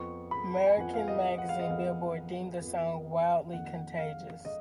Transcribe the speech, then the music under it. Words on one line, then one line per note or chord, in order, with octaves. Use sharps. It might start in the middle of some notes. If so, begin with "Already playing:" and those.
American magazine "Billboard" deemed the song "wildly contagious".
Already playing: F2 F3 B3 C#6
B5
G#5
F2 F3 B3 F#5
F5
D#5
F#5
F5
D#5
F2 F3 B3 F5
F2 F3 B3
F2 D#3 A#3 F#5
F5
D#5